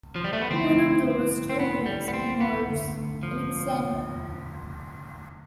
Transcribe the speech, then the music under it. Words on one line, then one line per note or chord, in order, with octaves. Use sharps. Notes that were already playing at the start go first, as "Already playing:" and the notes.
One of those stories involves Alexander.
F3
G3
A3
B3
D3 F3 A3 C4 E4
C4
B3
G3
B3
C4
B3
F2 D3 A3
F3